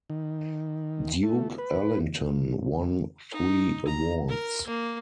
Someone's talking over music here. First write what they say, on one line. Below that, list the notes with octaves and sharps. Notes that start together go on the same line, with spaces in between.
Duke Ellington won three awards.
D#3
A3
B4
D#4
A#5
A#4
A#3